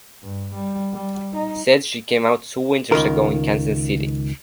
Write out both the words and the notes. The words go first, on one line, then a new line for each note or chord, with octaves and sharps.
Said she came out two winters ago in Kansas City.
G2
G3
G3
D#4
C#2 D#3 A#4